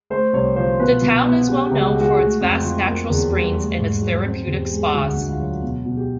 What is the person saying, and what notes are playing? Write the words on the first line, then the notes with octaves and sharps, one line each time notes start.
The town is well known for its vast natural springs and its therapeutic spas.
A3 C5
C2 C#5
F3 C5
B2 B4
B2
B3
B3 G4
G4
C#2
F#4
G#3
F#4
A3 F#4
F2
F3
A#3
E2
G3
A3
G#2
F#3
C4
E2
G4
G#3
D2 F#4
D2
F4
F#3
B2
B2
G4